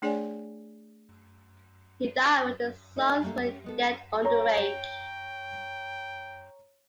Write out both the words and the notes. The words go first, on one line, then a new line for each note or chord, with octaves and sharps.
He died when his sons were yet underage.
A3 D4 G#4 C#5 D5 G#5
D#4 A4 D#5 E5
G3 A3 A#3 D4 A4
C#4 G4
G#3 B3 A4
C#5 G5 A#5